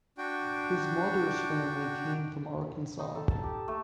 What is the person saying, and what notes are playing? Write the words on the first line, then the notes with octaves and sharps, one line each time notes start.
His mother's family came from Arkansas.
D4 F#4 G5
D#4
A4
A5
G4
A3